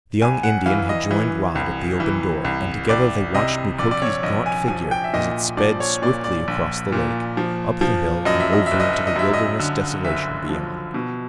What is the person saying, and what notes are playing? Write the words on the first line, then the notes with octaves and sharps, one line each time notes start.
The young Indian had joined Rod at the open door and together they watched Mukoki's gaunt figure as it sped swiftly across the lake, up the hill and over into the wilderness desolation beyond.
C2 G#5
F#5
E3 F5
D#5
E3
C2
E3
C2
C2 D5
C3 D#5
A#1 D5
D5
C#5
A#1 D#5
G#5
F3 G#5
G5
E5
A#2 D#5
F3 D5
C#5
A#2 D5
D5
A#1
A#2
F3
F3
F#2 D#5
E5
D#5
F#1 E5
D#5
E5
D#5
F#2 E5
D#5
D3
F#1 E5
F3
B2